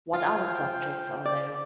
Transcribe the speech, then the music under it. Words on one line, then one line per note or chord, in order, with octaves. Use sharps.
What other subjects are there?
F4 C5 G5
D5